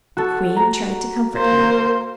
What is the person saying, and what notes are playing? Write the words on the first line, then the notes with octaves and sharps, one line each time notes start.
The queen tried to comfort him.
F#4 A4
A#5
A#3 C5